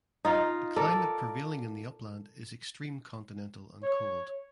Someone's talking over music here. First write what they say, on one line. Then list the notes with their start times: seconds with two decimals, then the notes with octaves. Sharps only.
The climate prevailing in the upland is extreme continental and cold.
0.25 D#4 F4
0.76 A4 A#4 D5
3.83 C#5